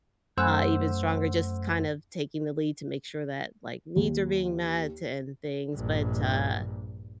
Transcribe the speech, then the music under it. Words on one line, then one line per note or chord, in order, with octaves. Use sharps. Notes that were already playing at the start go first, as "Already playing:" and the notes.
uh, even stronger, just kind of taking the lead to make sure that, like, needs are being met and things, but, uh,
F#2 A3 C5 F#5 E6
D#2
A#1 G2